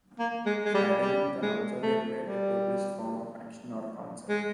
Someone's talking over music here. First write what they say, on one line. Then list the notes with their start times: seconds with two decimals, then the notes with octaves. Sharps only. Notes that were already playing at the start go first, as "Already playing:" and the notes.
Sadism can also be related to this form of action or concept.
0.19 A#3
0.46 G#3
0.65 G#3
0.74 G3
1.01 G3
1.42 G#3
1.82 A3
2.24 G3
4.29 G#3